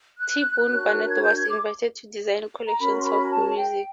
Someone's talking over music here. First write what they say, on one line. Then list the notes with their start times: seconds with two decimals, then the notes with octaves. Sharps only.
T Bone Burnett was invited to design collections of music.
0.18 F#6
0.70 D4 F#4 A#4 C#5
1.10 G#6
1.22 G6
1.36 G#6
1.49 D6
2.68 A#5
2.79 C#4 F#4 A#4 C#5 B5
2.99 C6
3.05 B5
3.31 A5
3.57 G5